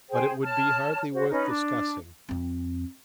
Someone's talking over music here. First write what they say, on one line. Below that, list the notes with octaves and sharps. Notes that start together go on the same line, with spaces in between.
But it would be hardly worth discussing.
G#4 C5 G5
C#5 A5 F6
F#4 C5
C#4 D#4 B4
D4
F2 C4